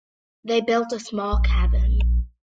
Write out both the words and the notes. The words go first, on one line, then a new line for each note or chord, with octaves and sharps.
They built a small cabin.
A#1